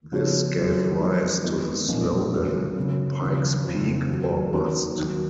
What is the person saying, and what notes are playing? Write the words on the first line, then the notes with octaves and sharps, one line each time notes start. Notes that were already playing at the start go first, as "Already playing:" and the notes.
This gave rise to the slogan, Pike's Peak or Bust.
C#3 F3 B3 F#4 C#5
F#2 D#3 F#3
F#2 F3 G#3
D#3 G#3 B3 F4
B1 A#2 F3 G#3 C#4
F#2 D#3 F#3
C#3 F#3 C#4
D#2 C#3 F3
F#1 F2 F3
D#2 D#3 F#3
D#3 A#3 C#4 F#4 A#4
D#2 D#3 F#3